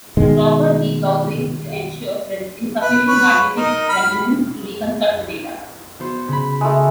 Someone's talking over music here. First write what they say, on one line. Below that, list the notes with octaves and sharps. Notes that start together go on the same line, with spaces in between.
Proper degaussing will ensure there is insufficient magnetic remanence to reconstruct the data.
B2 D#3 G#3
B4
B4 C#5
D#4 A#4
B5 F6
G6
B3 F#4 C5
C#3 B5
G#3 A3